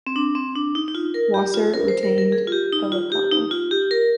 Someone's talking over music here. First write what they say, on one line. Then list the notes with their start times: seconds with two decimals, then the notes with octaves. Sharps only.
Wasser retained Pellicano.
0.07 C4
0.16 D4
0.35 C4
0.56 D4
0.75 D#4
0.88 D#4
0.95 F4
1.14 A#4
1.34 G4
1.54 F4
1.74 A#4
1.88 C5
2.03 A#4
2.18 A#4
2.32 G#4
2.47 F4
2.52 G4
2.72 D#4
2.92 F4
3.12 G4
3.32 D#4
3.51 F4
3.71 G4
3.91 A#4